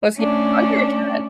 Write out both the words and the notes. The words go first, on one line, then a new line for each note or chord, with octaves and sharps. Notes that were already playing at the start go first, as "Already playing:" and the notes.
Was he a dog or a cat?
A3 C#4 D4